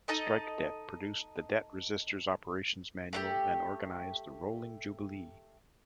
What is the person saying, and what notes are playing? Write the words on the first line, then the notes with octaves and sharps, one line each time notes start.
Strike Debt produced the Debt Resistors Operations Manual and organised the Rolling Jubilee.
D#4 A4 D#5
A3 D#4 G4